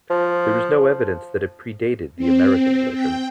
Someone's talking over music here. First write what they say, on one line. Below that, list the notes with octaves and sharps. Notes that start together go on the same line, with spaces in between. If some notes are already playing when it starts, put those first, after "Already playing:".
There is no evidence that it predated the American version.
F3
C4
G5